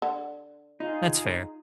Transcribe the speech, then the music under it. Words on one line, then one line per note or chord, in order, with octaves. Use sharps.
That's fair.
D3
D#4 F4 G#4